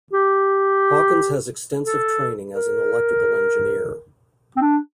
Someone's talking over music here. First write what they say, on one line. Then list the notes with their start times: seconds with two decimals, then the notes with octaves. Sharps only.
Hawkins has extensive training as an electrical engineer.
0.13 G4
1.85 A4
2.54 A#4
4.57 C4
4.61 D4